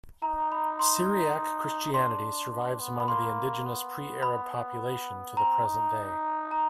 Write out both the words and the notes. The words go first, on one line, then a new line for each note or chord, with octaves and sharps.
Syriac Christianity survives among the indigenous pre-Arab population to the present day.
D#4 A#5
B5
C6
D4 C6
D4
B3
B5
A#3 C6
B3
B5
C4 A#5
D#4
A#5